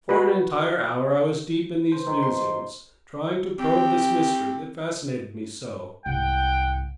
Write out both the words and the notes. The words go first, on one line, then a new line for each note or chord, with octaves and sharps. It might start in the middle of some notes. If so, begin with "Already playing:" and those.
For an entire hour I was deep in these musings, trying to probe this mystery that fascinated me so.
F#4 B4
C5
D#3
C6
C4 G4
C2 G#2 F#5 G5